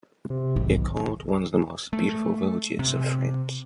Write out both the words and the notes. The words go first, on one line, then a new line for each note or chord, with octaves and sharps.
It called one of the "most beautiful villages of France".
C3
B1 G#2 D#3
A3
C3